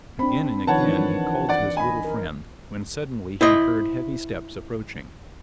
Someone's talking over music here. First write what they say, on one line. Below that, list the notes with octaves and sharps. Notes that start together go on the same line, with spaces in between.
Again and again he called to his little friend, when suddenly he heard heavy steps approaching.
C4 D4 B5
D#3 F3 B4 C#5 F#5 A5
E3 F3 D4
D5 F#5
D#5 G#5 B5
A#4
E4 C5 D#5